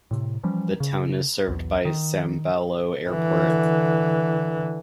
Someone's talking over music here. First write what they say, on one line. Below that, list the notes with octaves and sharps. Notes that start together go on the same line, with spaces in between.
The town is served by Sambailo Airport.
A2 C3
E3 F3 G3 C#4
C#3
B1 E2
D#3
D3 E3